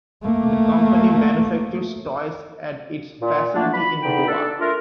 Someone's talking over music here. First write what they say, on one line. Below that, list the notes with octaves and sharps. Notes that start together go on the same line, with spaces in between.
The company manufactures toys at its facility in Goa.
A3 A#3
A#2
D3 A3 A#3 D4
B5
E2 D3 D#4 G5 B5
D4 A4
A3 D4 F4 A#4